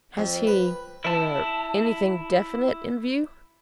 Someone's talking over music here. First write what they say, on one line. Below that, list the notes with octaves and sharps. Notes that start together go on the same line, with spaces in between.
"Has he--er--anything definite in view?"
F2
B4
E4 A5